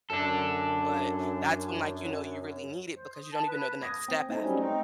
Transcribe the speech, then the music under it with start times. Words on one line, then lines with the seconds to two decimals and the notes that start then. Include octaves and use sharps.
but that's when, like, you know, you really need it because you don't even know the next step after.
0.10 F#2 D4 A4
2.94 C5
3.15 D#6
3.32 A5
3.46 B4
3.82 D#6 G#6 A#6
4.08 C4 G5
4.29 A3 C4 D#4 D#5
4.40 F#3 G3 C#4
4.57 A3 C4 D#4